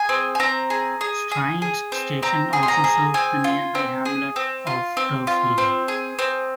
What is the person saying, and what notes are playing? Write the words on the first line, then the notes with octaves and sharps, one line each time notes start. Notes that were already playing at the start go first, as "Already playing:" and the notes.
Strines station also serves the nearby hamlet of Turf Lea.
Already playing: G#4 G#5
C4
G#5
C4 A#5
G#4
G#4
G#4
G#4
C4
C4 A#5
G#4
C6
A#5
G#4
C4 G#5
F4
C4
G#4
C4
F4
C4
F4
C4
G#4
C4